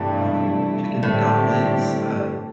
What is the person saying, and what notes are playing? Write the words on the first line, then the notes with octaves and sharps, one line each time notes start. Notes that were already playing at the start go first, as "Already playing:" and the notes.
um, chicken and dumplings. Uh,
Already playing: E2 G2 C3 E3 A3 E4
A2 D3 G3 C4 G4